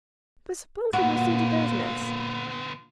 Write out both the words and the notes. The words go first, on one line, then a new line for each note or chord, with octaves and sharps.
But suppose we proceed to business.
A#2 D3 A#3 B3 F#4